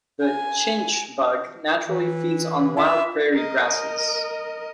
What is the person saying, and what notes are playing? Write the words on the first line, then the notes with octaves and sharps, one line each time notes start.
The chinch bug naturally feeds on wild prairie grasses.
G#5
E3
F4 E5
A#4 D#5